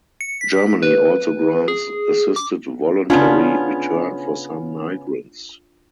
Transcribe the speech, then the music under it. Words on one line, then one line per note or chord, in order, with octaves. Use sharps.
Germany also grants assisted voluntary return for some migrants.
C#7
B6
B4
G#4
D6
C#3 B3 C#4 D4 F4